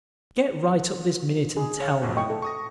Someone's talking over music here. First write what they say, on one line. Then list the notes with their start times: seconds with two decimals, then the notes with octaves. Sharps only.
Get right up this minute and tell me.
1.57 G#4
1.80 C#5 F5
2.02 B1 F2 F#4
2.17 A2 D#5 G5 C#6
2.30 A4
2.42 C#6 D#6 A#6